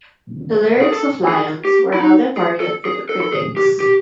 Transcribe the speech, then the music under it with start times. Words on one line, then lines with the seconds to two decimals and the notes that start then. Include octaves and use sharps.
The lyrics of "Lions" were another target for the critics.
0.82 G#4
0.92 A4
1.28 G#4
1.65 G4
1.94 E4
2.01 D#4
2.37 G#4
2.60 A4
2.85 G#4
3.09 A4
3.21 A4
3.33 G#4
3.57 G4
3.80 G4